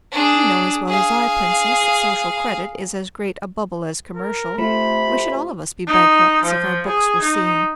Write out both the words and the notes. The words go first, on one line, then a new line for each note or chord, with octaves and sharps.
You know as well as I, Princess, that social credit is as great a bubble as commercial; we should all of us be bankrupts if our books were seen.
D4 G#4
G#4 F5
A#4
C3 A3 F4 B5
D#4
F3
G#4
D#4